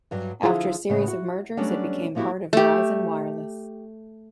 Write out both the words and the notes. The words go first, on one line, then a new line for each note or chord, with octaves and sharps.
After a series of mergers, it became part of Verizon Wireless.
G2 F#3
D3 F3 E4 F4 G#4 C5
A2 C#3 B3
F#4
F#3 G3 A3 B3 C#4 D4
F3 A#3 B3 E4 F#4 G4
A3 G4